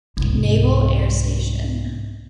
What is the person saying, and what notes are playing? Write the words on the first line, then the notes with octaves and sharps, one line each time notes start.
Naval Air Station.
C2 G#2